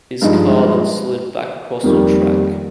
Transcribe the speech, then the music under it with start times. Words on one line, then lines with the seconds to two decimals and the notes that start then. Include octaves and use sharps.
His car then slid back across the track.
0.22 G2 F3 G#3 D#4
1.83 F2 D#3 G3 A#3